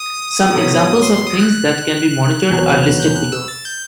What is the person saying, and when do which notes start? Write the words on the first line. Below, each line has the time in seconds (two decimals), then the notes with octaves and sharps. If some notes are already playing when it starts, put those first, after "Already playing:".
Some examples of things that can be monitored are listed below.
Already playing: D#6
0.52 A2 F#3 B3 F#4 A4
1.03 C6
1.15 C6
1.27 D#6
1.39 F#6
1.51 F#6
2.50 E2 B2 F#3
3.00 G6
3.15 F#6
3.32 E6
3.48 A6
3.65 G6